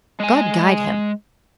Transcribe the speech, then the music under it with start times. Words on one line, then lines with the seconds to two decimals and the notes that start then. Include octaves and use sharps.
God guide him!...
0.20 G#3 G#5